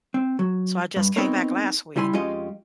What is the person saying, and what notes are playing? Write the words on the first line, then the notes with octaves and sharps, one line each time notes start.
So I just came back last week,
C4
F#3
G2
B3 C4 D#4 A#4 C#5
C#2 G3 E4 G#5 C6
F2 G#3 C#4 F4 G4 D#5